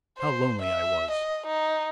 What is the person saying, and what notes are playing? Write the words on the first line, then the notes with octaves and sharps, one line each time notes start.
How lonely I was!
C5
E5
D#5
D#4